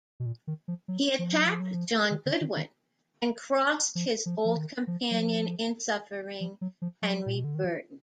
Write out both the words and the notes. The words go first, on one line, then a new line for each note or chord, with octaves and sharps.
He attacked John Goodwin and crossed his old companion in suffering, Henry Burton.
B2
A#2
D#3
F3
F#3
F3
F#3
F3
F#3
F3
D#3
D3
D#3
D#3
F3
F3
F3
D#3
F3
F#3
F3
F3
F#3
F3
F#3
A#2
B2
D3
D#3
F3